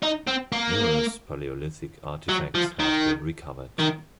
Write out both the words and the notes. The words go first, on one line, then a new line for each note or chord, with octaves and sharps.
Numerous Paleolithic artifacts have been recovered.
D#4
C4
A#3
F#3
F3
D#3
D#3